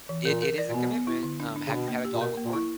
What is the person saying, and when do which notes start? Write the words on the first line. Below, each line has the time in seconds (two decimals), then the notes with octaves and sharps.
It it is a commitment, um, have you had a dog before?
0.09 E3
0.25 A#2 A#4
0.42 A#4
0.58 D5
0.69 A#2
0.74 B2 B3
0.91 B3
1.07 E4
1.23 D3
1.40 D4
1.56 D4
1.67 C#3
1.72 B2 D4
1.88 A#3
2.05 G4
2.13 A#2
2.21 B2 A#4
2.37 A#3
2.45 A#2
2.53 E4